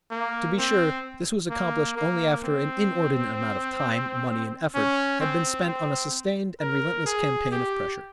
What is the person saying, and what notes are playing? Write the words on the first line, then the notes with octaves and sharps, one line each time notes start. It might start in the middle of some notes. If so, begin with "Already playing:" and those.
To be sure this was accomplished only after an inordinate amount of time, money and effort had been spent on a sustained and relentless campaign of pressure.
A#3
C4
A#3
A#3
C4
C#4
C4
C4
A#4
G#4
G4